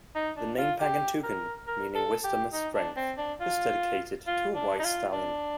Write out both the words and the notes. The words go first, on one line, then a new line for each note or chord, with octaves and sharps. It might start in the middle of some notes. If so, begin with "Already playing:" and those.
The name "Pangantucan", meaning wisdom and strength, is dedicated to a white stallion.
D#4
D4
F4
G4
A#4
A#4
A4
G4
D#4
D4
C4
D4
F4
F4
D4
D#4
F4
D4